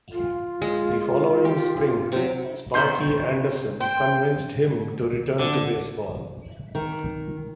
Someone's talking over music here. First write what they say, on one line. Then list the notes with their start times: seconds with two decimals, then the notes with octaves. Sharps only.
The following spring, Sparky Anderson convinced him to return to baseball.
0.12 F4
0.62 G#3
1.45 G4
2.12 C3 F#3 C5
2.74 B2 D#3 C5 C6 G6
3.80 C5 G5
5.39 D3
6.75 D#3